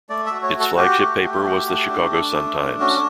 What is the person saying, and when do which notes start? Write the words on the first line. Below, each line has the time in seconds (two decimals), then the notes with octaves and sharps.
Its flagship paper was the "Chicago Sun-Times".
0.09 A3 D5
0.26 F#4 E5
0.42 C#5
0.54 F#4
0.60 A4
0.76 F#4 G4
0.99 A3
1.22 A3
1.45 F#4
1.67 A3
1.89 D4
2.12 D4
2.34 A3
2.57 D4
2.80 C#4 F#4